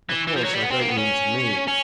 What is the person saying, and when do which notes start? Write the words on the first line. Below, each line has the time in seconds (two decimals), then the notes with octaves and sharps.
"Of course I don't mean to me."
0.09 E3
0.27 E3
0.36 F3
0.44 F#3
0.54 G3
0.63 B3
0.71 C4
0.80 A#3
0.89 B3
0.98 C#4
1.68 C#4